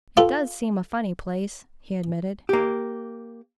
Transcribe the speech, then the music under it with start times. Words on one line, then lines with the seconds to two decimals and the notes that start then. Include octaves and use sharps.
"It does seem a funny place," he admitted.
0.17 F4 G4 A4 B4
2.49 A#3 G4